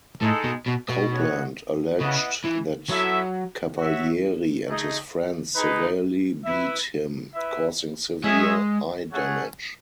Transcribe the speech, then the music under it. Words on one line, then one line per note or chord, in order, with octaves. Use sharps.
Copeland alleged that Cavalieri and his "friends" severely beat him, causing severe eye damage.
A2 G#3 D#4 A4
B2
B2
B2
B3 F#4 C#5 F#5
C#3 B3 E4 B4 D#5 F#5
E3
F#3 B3 E4 A4 E5
F#4 C#5 E5
A3 D#4 G#4 D#5
G#3 D#4 G#4 B4
E4 B4 E5
E4 B4 E5
G#3 C#4 G#4 C#5 E5
A3 C#4 G#4 C#5 F#5